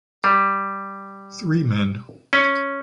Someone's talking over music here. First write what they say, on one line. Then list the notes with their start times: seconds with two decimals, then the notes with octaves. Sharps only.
Three men.
0.24 G3
2.33 C#4